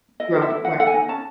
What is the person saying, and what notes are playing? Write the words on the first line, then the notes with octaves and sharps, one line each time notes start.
Growing, right.
E4 D#5
A4
E5
E4
D#4 F#5
A4 F#5
G#5
D#4
C#4 A5